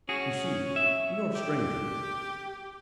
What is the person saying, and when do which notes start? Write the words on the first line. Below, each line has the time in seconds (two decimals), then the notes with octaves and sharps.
"You see, we are strangers."
0.09 C#4 F#4 G#4
0.76 E5
1.35 G4